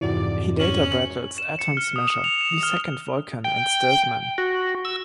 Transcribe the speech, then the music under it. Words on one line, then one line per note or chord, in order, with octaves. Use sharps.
He later battles Atom-Smasher, the second Vulcan, and Stilt-Man.
F2 G#2 C3 E3 F#4 D5
C#4 F#7
E7
C#7
F6
D#6
F7
E7
F6
G5
F#4
E6